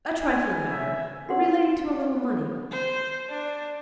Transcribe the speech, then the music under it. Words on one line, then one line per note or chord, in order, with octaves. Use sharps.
A trifling matter, relating to a little money.
G#5
E5
F#4 F#5 C6
C5
D4